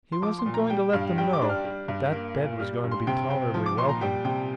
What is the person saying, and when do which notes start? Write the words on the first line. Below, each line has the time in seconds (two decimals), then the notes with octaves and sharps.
He wasn't going to let them know, but that bed was going to be tolerably welcome.
0.12 C6
0.22 F3 D6
0.39 C6
0.46 A#2
0.54 A#5
0.70 G3 G5
0.93 G2 F5
1.18 G3 G5
1.33 D6
1.42 D4
1.49 F6
1.64 G3
1.88 G2
2.12 A#3
2.36 A#2
2.59 G3 F6
2.84 G2
2.91 C6
3.07 C3 G5
3.30 C4 G5
3.54 F3
3.66 D6
3.77 A#2 C6
3.89 A#5
4.01 G3 G5
4.25 C3 G5